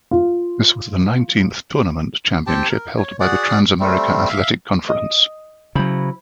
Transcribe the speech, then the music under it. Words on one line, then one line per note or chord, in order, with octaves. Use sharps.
This was the nineteenth tournament championship held by the Trans America Athletic Conference.
F4
C4 G4 G5 A5
A#4
C#5
F#4 G#4 D5 F#5
G3 A3 C4
E5 F5
D#5
C#3 F#3 E4 C5 B5